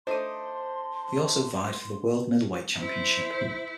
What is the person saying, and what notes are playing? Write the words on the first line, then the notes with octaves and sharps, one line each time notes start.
He also vied for the world middleweight championship.
A3 D4 D#4 C5 C6 D#6
E4 C5